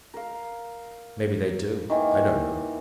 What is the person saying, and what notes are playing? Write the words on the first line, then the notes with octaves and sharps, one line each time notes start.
Mebby they do; I don't know.
A#4 F5
D#3 E3 A#3